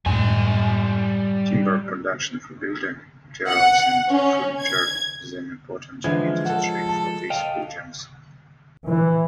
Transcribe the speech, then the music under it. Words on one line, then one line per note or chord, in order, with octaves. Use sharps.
Timber production for building materials and furniture is an important industry for these regions.
F#2 A2 G3 G#3 G#5
F#5
C#4
G#6
D3 E3 F3 G#3 G#6
A4 F#5
A5
D#5 F5 G5
E3